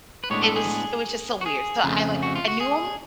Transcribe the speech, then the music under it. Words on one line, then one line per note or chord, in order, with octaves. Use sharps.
it was it was just so weird. So I, like, I knew him
B4
A2 G#3 B3 D4 C#5
A4
G#4
F#4
G#4
F2 C#3 F3 A3
F#4
F4
F#4
G#4